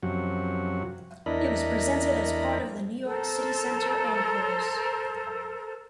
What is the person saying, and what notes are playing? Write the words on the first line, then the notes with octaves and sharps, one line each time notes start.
It was presented as part of the New York City Center Encores!
F#2 C3 F3 F#4
E2 D4 E4 A#4 D#5 B5
A4 A#4 C5